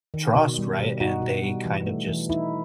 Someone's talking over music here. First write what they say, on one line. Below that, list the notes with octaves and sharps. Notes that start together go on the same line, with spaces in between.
trust, right, and they kind of just
D#3
B2
G3
B2
D#4 F#4
B2
G3
E3
A3
E3
D#4 E4